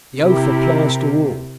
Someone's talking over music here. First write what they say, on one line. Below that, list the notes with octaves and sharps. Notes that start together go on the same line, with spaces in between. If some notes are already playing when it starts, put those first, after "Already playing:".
"The oath applies to all."
C3 E4 G4 A#4